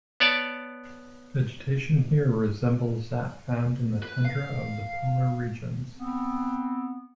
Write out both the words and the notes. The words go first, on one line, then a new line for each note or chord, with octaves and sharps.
Vegetation here resembles that found in the tundra of the polar regions.
B3 C#5 D5 A5
B4
F5
B3 C4